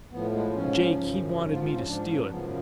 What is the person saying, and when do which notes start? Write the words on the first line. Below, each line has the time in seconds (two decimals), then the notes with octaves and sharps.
Jake, he wanted me to steal it.
0.11 A2 F3 B3
0.33 G#3
0.55 G#2 F3 C#4
0.98 F#2 C#3 F3
1.42 G#2 F3 C#4
1.52 F4
1.64 F4
1.74 C#4
1.85 G#2 F3 D4
2.08 C#4
2.29 F#2 C#3 F3 B3